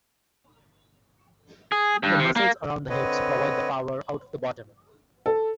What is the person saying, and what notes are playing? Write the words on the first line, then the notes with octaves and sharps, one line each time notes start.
The muscles around the hips provide the power out of the bottom.
G#4
G2
C3
A#3
D3 C4 B4 C#5 D#5
A4